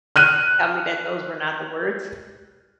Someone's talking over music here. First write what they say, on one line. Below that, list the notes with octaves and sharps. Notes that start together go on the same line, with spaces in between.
tell me that those were not the words.
F6 F#6 D#7